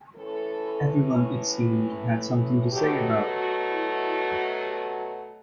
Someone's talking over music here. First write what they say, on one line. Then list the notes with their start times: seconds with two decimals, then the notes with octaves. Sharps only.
Everyone, it seemed, had something to say about it.
0.15 A2 E3 A3 C#4 A4
2.71 B2 F#3 A3 G4
3.36 F#4
3.68 E4
3.99 E4
4.31 F#4
4.64 G4
4.96 F#4